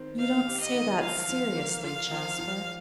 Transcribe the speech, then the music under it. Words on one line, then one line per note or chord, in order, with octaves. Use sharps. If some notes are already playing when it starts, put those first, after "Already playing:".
'You don't say that seriously, Jasper?'
Already playing: D#3 C4
D#4 F5
G4
D#5
D#3
F3 F5
F3
A#3
F4 F5
F3
F3